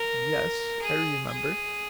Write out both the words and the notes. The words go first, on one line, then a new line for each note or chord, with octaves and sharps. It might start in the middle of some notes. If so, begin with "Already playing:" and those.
"Yes, I remember."
Already playing: A#4
G#4
G#4